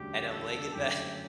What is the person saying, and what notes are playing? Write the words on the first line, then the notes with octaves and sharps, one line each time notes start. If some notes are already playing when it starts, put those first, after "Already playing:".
and I'm laying in bed
Already playing: E1 D2 C#3 G3 D4 G4
A4
F#1 F#2 D3 A3 G4